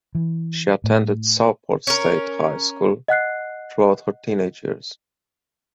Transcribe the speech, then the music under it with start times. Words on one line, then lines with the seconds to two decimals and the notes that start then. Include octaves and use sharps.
She attended Southport State High School throughout her teenage years.
0.15 E3
0.84 A2
1.87 C#4 A#4
3.08 D#5 F#5 F#6 C7